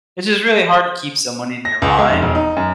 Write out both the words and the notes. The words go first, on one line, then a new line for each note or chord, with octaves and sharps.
It's just really hard to keep someone in your mind.
A#6
C#2
G#3
F1
E1
D#4
F#2